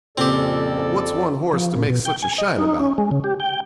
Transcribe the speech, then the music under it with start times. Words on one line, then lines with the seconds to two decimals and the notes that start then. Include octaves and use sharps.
But what's one horse to make such a shine about?'
0.18 F2 A#2 C#3 C4 G4 A4 D5
1.53 F3
1.76 A#2
1.90 B2
2.05 G5
2.22 G#5
2.38 D#5
2.58 D#4
2.80 C#4
2.98 G#3
3.11 C#3
3.24 G4
3.40 G5